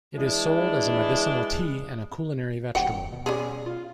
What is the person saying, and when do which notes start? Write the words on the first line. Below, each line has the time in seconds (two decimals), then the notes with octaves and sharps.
It is sold as a medicinal tea, and a culinary vegetable.
0.15 E3 G#3 D4
2.75 D#1 F#5 G5
3.12 B2
3.26 G3 C#4 G#4
3.66 F4